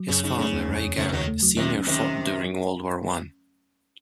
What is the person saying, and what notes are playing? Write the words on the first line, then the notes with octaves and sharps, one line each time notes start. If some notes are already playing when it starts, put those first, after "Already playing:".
His father, Ray Garrett, Senior fought during World War One.
Already playing: F#3
F#2 C#3
C#3 D#4
C#3 A3
D#2
F2
F2
C#3 F3 A3
A3
D#2 D#3 F#3
A3
F#3
C3 D#3 C#4
C#4
C3 D#3 C#4
C#4